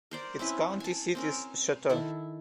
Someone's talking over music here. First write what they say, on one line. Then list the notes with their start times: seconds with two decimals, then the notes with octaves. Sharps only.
Its county seat is Choteau.
0.11 A#4 C5 D5
0.39 C4 C#4 E4 B4
0.80 G#5 A5
1.15 C4 C#4 A#4
1.89 D#3 E4 A4